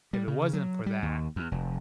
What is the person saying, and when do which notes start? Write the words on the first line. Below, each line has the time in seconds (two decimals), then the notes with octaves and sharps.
if it wasn't for that,
0.13 G3
0.28 C#3
0.53 F#3
0.86 G3
1.03 D#2
1.36 E2
1.52 F1